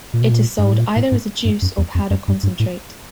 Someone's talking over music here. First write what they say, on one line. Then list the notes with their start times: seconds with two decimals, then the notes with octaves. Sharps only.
It is sold either as a juice or powder concentrate.
0.13 A#2
0.22 B2
0.31 A#2
0.58 G2
0.64 G#2
0.72 A2
0.79 A#2
0.96 A2
1.12 G#2
1.45 G2
1.62 F#2
1.78 E2
1.95 F2
2.10 F#2
2.28 G2
2.43 G2
2.60 A2